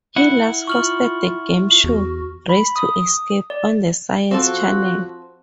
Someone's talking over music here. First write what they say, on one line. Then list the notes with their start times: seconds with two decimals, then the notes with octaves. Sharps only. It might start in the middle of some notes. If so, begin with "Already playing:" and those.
He last hosted the game show "Race to Escape" on the Science Channel.
0.16 E4 F#5
0.67 F4 C#6 F6 F#7
1.84 E2 F#4
2.49 B5
2.76 D#6
3.50 D5
4.31 F3 C4 F#4 A4